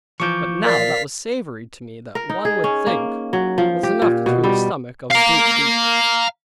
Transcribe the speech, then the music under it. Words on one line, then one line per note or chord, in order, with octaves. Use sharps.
But now that was savory to me that one would think was enough to turn the stomach of a brute creature.
E3 F3 C#6 D6 G6
A#4 D5 F5 A6 B6
A#4
D#4
G#4
C#4
A#3
F#3
F3
G4
A#2
B2
G3
F5 A#5